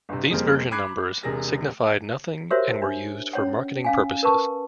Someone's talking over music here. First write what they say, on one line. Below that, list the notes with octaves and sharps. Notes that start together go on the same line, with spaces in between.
These version numbers signified nothing and were used for marketing purposes.
G1 C3
F2 C#3 G3 A#3 C4
B5 D6 F#6 G#6 C7
E1 C3 G#4 A#4 A#6
F#4 G4 A#4 C5 C#5 E5
D4
C#4 C#5 F#5
C#4 F5 G#5
A#4 B4 A5 C#6